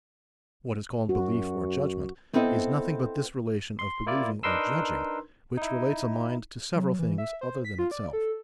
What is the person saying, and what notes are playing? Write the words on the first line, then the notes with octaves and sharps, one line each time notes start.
What is called belief or judgement is nothing but this relation of believing or judging, which relates a mind to several things other than itself.
F#2 F#4
B3 C4 E4 A4 C5 D#5
C6
A#3 E4 F4 D5
D4 D#4 A#4 B4 C6 E6
D#4 E4
F#3
E3
E5
C5
B6
F4
D5
A4